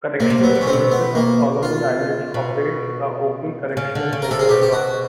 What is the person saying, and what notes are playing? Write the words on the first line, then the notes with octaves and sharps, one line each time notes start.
Correctional Services of Solomon Islands operates the Auki Correctional Centre in Auki.
C3 A#3
C3
B2
B3
C3
C#4
C4
B2
B3
A#3
F4
B2
C#3
D3
C#3
A#4
C3 A4
G#4
B2 G4
G4
F#4